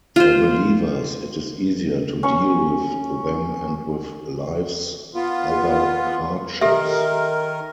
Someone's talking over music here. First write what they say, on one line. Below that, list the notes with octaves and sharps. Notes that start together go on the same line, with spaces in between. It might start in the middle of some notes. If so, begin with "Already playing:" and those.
For believers, it is easier to deal with them and with life's other hardships.
F4 C5
C#4 C#6
B3 F4
D#3 G4 A4 A#4 E5